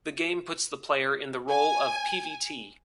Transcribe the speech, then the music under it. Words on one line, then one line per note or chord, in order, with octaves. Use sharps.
The game puts the player in the role of Pvt.
G#5